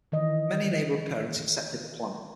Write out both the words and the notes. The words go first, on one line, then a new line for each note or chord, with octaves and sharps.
Many neighborhood parents accepted the plan.
D#3 E3 D#5